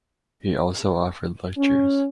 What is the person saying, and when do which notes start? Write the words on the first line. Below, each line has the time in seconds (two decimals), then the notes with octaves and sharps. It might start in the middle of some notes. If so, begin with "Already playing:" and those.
He also offered lectures.
1.58 C#4